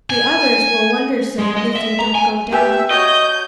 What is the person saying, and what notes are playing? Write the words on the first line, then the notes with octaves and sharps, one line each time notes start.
The others will wonder so if you don't go down.
G#5
G#3
D#5
E5
A#5
G#5
G4 B4 E5 G#5
F#4 C#5 D#5 G6